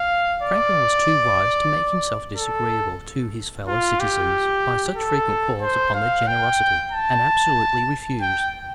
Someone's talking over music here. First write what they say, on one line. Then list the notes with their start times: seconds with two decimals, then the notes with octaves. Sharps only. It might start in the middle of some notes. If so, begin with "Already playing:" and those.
Franklin was too wise to make himself disagreeable to his fellow citizens, by such frequent calls upon their generosity, and absolutely refused.
Already playing: F5
0.42 D5
2.36 A4
3.67 F4
4.00 G4
4.96 A4
5.61 C5
5.95 F5
6.27 G5
6.92 A5
8.21 G5